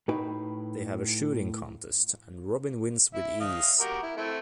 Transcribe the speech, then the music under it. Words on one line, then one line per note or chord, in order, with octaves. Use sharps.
They have a shooting contest, and Robin wins with ease.
A2 D#4 F#4 B4 G5
E4 E5
D#5 F5
F#4 G4 A#4
E4
A3 C4 E4